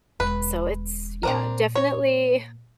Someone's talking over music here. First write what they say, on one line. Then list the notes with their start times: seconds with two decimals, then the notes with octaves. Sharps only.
so it's yeah, definitely
0.20 E1 B4
1.23 A#2 C4 D4 A#4
1.75 C#5